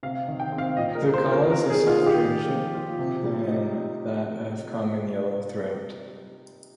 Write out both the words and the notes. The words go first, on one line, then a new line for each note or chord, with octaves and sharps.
The call is a softer "jip" than that of common yellowthoat.
C3 F5
D#3
G5
C4
F5
A#2 D#5
A#4
G3
C5
F4
A#4
D#3 A#4
G#4
G3
F4
D#3
G4
A#2
F3
F4
C3
G3
D#4